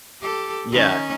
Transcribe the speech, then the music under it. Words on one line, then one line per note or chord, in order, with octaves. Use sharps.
Yeah. E
G4 A4
D#3 C#4